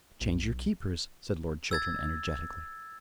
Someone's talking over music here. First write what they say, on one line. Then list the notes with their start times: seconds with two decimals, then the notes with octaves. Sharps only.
"Change your keepers," said Lord Chiltern energetically.
0.21 B1
1.71 E6 G#6 A6